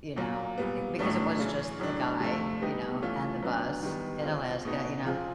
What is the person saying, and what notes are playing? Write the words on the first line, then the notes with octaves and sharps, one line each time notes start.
you know, it it Because it was just the guy, you know, and the bus in Alaska, you know.
A#2 F#3 A#3
A#2 G3 B3
A2 F#3 A3 D4
C#3 E3 G#3 C#4
A2 F#3 A3 D4
C3 F3 A3
G3 B3 D#4 G4
E3 A3 C#4 F4
F#3 B3 D4
D#3 G3 B3
G#3 C4 F4
B2 G#3 B3 D#4 F#4
F3 G#3 C4 F4 G#4